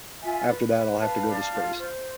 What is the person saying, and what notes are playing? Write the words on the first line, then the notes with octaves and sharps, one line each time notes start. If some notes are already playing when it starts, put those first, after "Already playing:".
After that, I'll have to go to space.
F4 E5 G#5
B4
B4
B4 F5 A5
D4
F4
C5